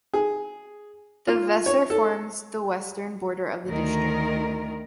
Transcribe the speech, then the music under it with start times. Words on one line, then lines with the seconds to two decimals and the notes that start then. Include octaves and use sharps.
The Weser forms the western border of the district.
0.14 G#4
1.28 F4
1.66 C#5
1.90 A4
3.66 D2 D#3 A#4